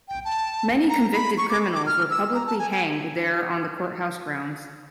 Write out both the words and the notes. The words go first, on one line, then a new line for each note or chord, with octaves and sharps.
Many convicted criminals were publicly hanged there on the courthouse grounds.
G5
A5
A#5
B5
C#6
D6
D6
F6
E6
A#5
A5
G#5
G#5